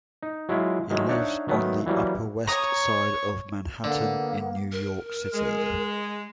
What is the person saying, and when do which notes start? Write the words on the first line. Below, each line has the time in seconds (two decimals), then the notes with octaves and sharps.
He lives on the Upper West Side of Manhattan in New York City.
0.23 D#4
0.49 F#3 G#3 E4 F4
0.90 D#3 F#3 G#3 A3
1.08 D4 D#4 C#5 D5 E5 F#5
1.48 D#3 F#3 A3 B3
1.86 E3 F#3 G3 A#3
2.47 C#5 A#5 D#6
3.84 D3 A#3 B3
4.72 A#4
5.34 G#3